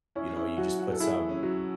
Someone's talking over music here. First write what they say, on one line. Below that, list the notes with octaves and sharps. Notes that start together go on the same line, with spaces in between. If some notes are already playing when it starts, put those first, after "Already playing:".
you know, you just put some
C#4 E4
E4
F#3 F#4
F#4
A4
E4 G#4
C#4
F#3